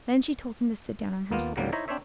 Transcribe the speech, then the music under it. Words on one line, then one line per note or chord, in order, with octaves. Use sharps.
Then she told him to sit down on her skirt.
D#2 A#3 B3 F4
C#2 G#2 F#3 G3 A#3
D#4 E4 C5 C#5 E5 A#5
C4 D4 C5 C#5 E5